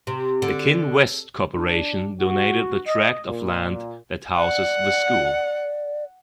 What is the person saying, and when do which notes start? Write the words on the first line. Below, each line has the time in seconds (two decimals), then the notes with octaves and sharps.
The Kinwest Corporation donated the tract of land that houses the school.
0.07 C3
0.42 D3
1.56 D4
2.21 F#4
2.87 D#5
3.29 A#2
4.37 D5 F#5